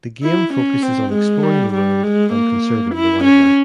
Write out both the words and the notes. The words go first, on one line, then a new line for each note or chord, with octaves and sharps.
The game focuses on exploring the world and conserving the wildlife.
E4
C#4
C4
G#3
G3
G3
G#3
A#3
E4
C#4